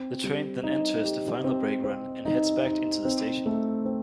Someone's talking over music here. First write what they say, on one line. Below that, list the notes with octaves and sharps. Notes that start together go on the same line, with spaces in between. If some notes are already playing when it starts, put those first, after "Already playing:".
The train then enters the final brake run, and heads back into the station.
Already playing: C4
G3
D#4
G4
C4
C4
D#4
D#4
C4
A3
C4